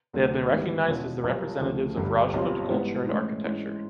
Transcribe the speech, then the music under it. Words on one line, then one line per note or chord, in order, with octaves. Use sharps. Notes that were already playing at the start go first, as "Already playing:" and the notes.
They have been recognized as the representatives of Rajput culture and architecture.
D2 D3 F#3
G#2 D#3 G3 B3 E4
E2 B2 G#3 C#4 F4
B1 A#2 G3 A#3
D2 C#3 F3 A3
G1 G2 D3 G3
B1 A#2 G3 C4 F4
G#2 E3 G3 B3
A2 E3 G#3 C#4
G#2 E3 G#3 C#4